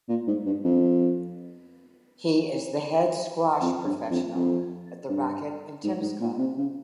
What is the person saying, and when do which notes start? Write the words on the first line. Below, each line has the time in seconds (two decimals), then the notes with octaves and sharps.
He is the head squash professional at the Racquet and Tennis Club.
0.09 A#2
0.27 G#2
0.46 G2
0.64 F2
3.61 F2
3.86 G2
4.11 F2
4.35 F2
5.09 G2
5.84 G#2
6.02 G#2
6.21 A#2
6.39 C3
6.58 C#3